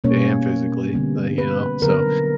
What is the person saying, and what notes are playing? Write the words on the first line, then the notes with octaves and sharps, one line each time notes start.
and physically, like, you know, so,
B2 G3 A#3 C#4 C#5
D3 G3 B3
B4
D3 F#3 B3 A#4